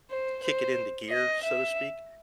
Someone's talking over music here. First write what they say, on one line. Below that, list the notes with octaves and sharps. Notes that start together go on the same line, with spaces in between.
kick it into gear, so to speak,
C5
C5
D#5
E5